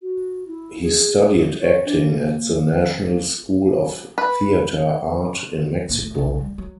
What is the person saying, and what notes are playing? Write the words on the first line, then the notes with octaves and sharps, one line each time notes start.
He studied acting at the National School of Theater Art in Mexico.
F#4
E4
G#4
C#5
D4
A#3
B4
A2 A#3
A3
B1 C#3
G3
F#3